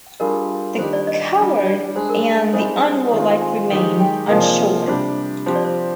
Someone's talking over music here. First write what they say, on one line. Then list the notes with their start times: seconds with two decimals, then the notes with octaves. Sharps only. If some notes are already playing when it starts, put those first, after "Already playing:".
The coward and the unwarlike remain unshorn.
0.20 G3 D4 F4 G#4 A#4
0.78 D#3 G3 D4 G4 C5
0.93 D5
1.07 D#5
1.37 G3 D4 G4
1.66 D5
1.96 G#3 D4 G#4 C5
2.09 A#4
2.53 G3 C4 D#4 G#4 C5
2.82 D5
3.12 D#3 G#3 C4 F4
3.42 G#5
3.71 D#3 G#3 D#4 G4
4.00 G5
4.29 C3 F3 A#3 F4 G#4 D#5
4.43 D5
4.87 C3 G3 D4 G4 C5
5.46 F3 C4 G4 C5
5.55 D5
5.64 C5